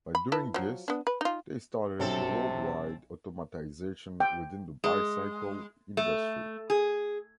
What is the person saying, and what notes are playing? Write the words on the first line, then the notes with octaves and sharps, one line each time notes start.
By doing this they started the worldwide automatization within the bicycle industry.
B5
E4 B4 A5
F3 F#3
B3 D4
B4
D#4 F4
B1 C3 F#3 C4 C#4 A4
G5
G#3
A3
G#4